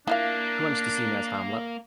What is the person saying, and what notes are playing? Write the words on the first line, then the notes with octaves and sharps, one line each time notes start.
Who wants to see me as Hamlet?
A#3 D4 E4 F4 F5